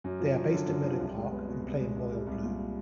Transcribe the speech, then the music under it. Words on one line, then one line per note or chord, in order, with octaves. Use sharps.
They are based at Meadow Park and play in royal blue.
F#2
F3
F#2
D3
F#2
F3
C2
G#3
B3
B2
C2
G#3
C2
G3
C2
A#2